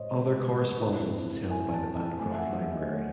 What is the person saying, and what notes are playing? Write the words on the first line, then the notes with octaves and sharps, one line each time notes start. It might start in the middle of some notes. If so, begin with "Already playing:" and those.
Other correspondence is held by the Bancroft Library.
Already playing: A2 G#3 C5 C#5 D#5
G#3
A2
E4
C4
E4 G#5
A5
C4
A5
A3 G#5
E5
F#5
F#3 E5
D#5
A3 C#5